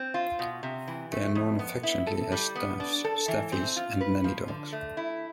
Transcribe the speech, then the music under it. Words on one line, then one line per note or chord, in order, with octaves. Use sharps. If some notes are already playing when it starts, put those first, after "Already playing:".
They are known affectionately as "staffs", "staffies", and "nanny-dogs".
Already playing: C4
F4
B2
C3
E3
A3
F2
B3
E4
A4
G3
B3
D4
A4
E3
C4
F4
B4
F3
D3
A3
E4